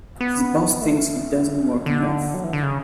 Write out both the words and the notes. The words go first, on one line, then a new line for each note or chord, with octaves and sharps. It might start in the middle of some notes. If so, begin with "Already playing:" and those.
His boss thinks he doesn't work enough.
B3
A3
F#3
D3
F#3
E3
D3
C#3